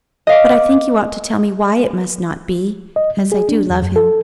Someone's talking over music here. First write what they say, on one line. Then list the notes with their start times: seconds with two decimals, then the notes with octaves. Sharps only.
"But I think you ought to tell me why it must not be,--as I do love him."
0.27 D#5 F5 D6
2.96 D#5
3.17 G3
3.32 G#4
3.49 D4
3.70 E2
3.82 F#2
3.96 A4